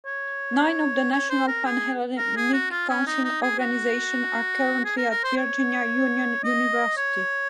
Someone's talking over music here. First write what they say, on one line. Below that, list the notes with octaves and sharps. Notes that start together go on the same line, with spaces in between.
Nine of the National Pan-Hellenic Council organizations are currently at Virginia Union University.
C#5
C#5
C5
A#4
G#4
A#4
G#4
F#4
F4
C#4
D#4
D#4
G#4
F#4
G#4
A#4
A#4
C5
C#5
D#5
C#5